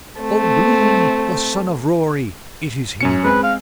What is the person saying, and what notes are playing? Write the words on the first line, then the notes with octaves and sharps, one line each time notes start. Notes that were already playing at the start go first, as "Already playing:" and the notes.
O'Bloom, the son of Rory: it is he.
A3 C4
F#2 C#4 C#7
G#3 C4 G#4 B4
F5